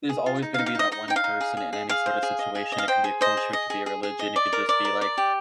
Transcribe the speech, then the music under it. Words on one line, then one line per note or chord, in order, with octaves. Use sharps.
there's always gonna be that one person in any, sort of, situation, it could be a culture, it could be a religion, it could, just, be, like,
G#4
F4
D#4
F5
D#4
F5
D#4 D#5
D#4 D#5
D#4 G5
F5
D#4
G#4
G#4
G#4
G#4 F5
C5
G#4
D#5
G#4
D#5
F5
C5 G5
G#4
C5 D#5
G#4
D#5
G#4
G#4
G#4
D#5
D5
A#4
D5
A#4
D5
G4